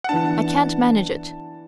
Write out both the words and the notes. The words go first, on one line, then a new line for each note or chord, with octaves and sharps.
I can't manage it.
F#5
E3 B3 D4 A5